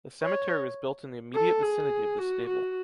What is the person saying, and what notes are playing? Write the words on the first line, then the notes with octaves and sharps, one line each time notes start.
The cemetery was built in the immediate vicinity of this stable.
C#5
A4
G#4
F#4
F#4